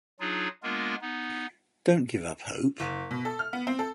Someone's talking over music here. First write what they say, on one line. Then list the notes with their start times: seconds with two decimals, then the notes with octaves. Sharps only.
Don’t give up hope.
0.20 F#3 D4 D#4 F4 G#4
0.63 G#3 A#3 B3 D4 F4 A#4
1.01 B3 D#4
2.80 F#1
3.11 B2
3.25 A4
3.39 F6
3.53 B3
3.67 C4
3.79 A4